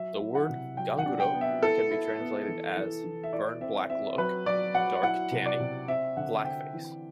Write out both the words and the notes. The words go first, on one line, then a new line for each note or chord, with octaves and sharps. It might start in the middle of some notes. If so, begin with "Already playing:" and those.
The word "ganguro" can be translated as "burn-black look", "dark tanning", "black-face".
Already playing: F#3 E5
E4
F#5
C3
F#3 G5
F#5
D4
G5
B3
E5
E4 A4
E4
B3
E3
E3
E3
E5
E4 D5
C4 E5
C4 E5
F#3 B4
F#3 D5
F#3 F#5
E4 F#5
C3
D5
C3
C4 E5
D3 F#5
C4 G5
E3